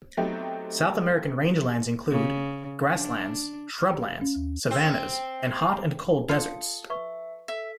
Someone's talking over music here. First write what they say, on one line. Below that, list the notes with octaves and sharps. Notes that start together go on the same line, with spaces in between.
South American rangelands include; grasslands, shrublands, savannas, and hot and cold deserts.
F#3 A3 B3 C4 D#4 G4
C#3
D4
F6
F5
C#4
D#2
C4
F4 A4 D#6
B4 E5 C#6
A4 E5 B6